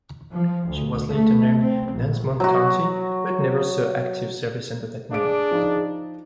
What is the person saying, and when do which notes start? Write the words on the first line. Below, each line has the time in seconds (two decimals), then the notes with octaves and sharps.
She was later named "Nansemond County", but never saw active service under that name.
0.32 F3
0.68 D2
1.10 A3
1.61 C4
1.92 A#1
2.40 F#3 F#4
5.11 D4 G#4 F5 D6 D7
5.51 F3 D#4